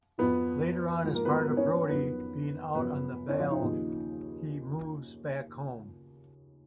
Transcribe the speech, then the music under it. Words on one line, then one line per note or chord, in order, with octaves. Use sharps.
Later on as part of Brody being out on Bail he moves back home.
F2 F3 B3 B4
G#2 F3
A#3 A#4
B3 B4
A#3 A#4
B3 B4
C#4 C#5
B3 B4
F2 D#3 F#3 B3 B4
F#2 C#3 F3 B3 B4
C#4 C#5
F3 F4
D#4
D#2 C#3 F3 D#4